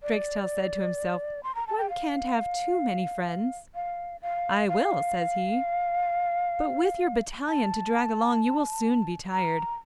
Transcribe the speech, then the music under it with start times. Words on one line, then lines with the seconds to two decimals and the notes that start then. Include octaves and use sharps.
Drakestail said to himself, 'One can't have too many friends.'... 'I will,' says he, 'but with your battalion to drag along, you will soon be tired.
0.03 D5
1.43 C6
1.55 A#5
1.67 A5
1.78 G5
1.90 F5
3.75 F5
4.22 F5
4.69 F5
7.47 A5
9.32 A#5